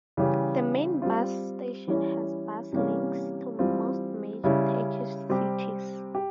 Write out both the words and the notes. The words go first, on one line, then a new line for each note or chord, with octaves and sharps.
The main bus station has bus links to most major Turkish cities.
C#3 E3 G3 C#4 G4
G3 C4 F4
E3 G3 C#4 E4
C3 E3 G3 A#3 C#4
E3 G3 C4 F4
C#3 G3 C#4 E4
C3 G3 C4 G4
G4